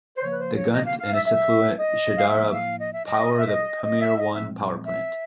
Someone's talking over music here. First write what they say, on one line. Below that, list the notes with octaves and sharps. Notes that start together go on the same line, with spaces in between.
The Gunt, and its affluent Shahdara, power the Pamir I power plant.
C5
C#3 F3 A#3 C#5
B4
C5
C#5
D#5
F5
F5
E5
E5
D#5
F5
A2 F3 A#3 E5
E5
F5
D#5
E5
D#5
D#5
E5
D#5
D#5
E5
D#5
A#2 F3 G#3 C4 E5
E5